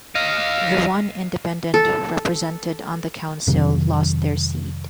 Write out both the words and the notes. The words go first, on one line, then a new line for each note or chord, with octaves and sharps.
The one independent represented on the council lost their seat.
D#5 F5
A4
F2 C3 D#3 F#3